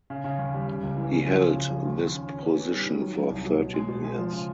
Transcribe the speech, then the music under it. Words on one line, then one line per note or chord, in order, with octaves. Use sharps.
He held this position for thirteen years.
C#3
C#3
D#2
G3
C#3
C#2
E3
C#3
F3
C#3
C#3
F3
D#2
D#2
C#4
C#4
B3
D#3
G3
D#3
F#3
F#3
C2
F#3
B2
G#3
B2
G#3
F3
C#3